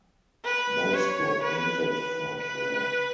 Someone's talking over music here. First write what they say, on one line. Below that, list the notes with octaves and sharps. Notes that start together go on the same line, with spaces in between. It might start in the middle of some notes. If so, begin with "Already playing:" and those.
Most were painted Ford black.
B4
C#5
B4
B4
B4